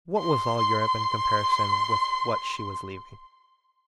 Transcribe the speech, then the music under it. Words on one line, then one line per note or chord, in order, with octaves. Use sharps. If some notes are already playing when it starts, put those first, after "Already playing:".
What was all Europe in comparison with what she was leaving?
C6
C6